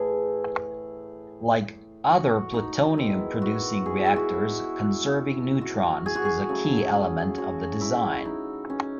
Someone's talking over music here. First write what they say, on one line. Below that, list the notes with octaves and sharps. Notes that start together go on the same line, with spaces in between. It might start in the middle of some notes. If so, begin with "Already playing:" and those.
Like other plutonium-producing reactors, conserving neutrons is a key element of the design.
Already playing: A2 E3 A3 G#4
F#4
D#4
D#3 G#3 B3 E4
F#4
G#4
F#4
E4
F#4
F#4
G#4
F#4
G#4
C#3 F#3 A3
F#4
E4
D#4
C#4